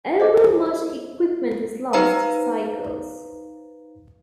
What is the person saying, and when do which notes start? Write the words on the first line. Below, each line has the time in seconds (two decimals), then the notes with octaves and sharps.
Although much equipment was lost, cycles.
0.20 C5 D#5 D6
1.93 D#4 B4 C5 F5 A#5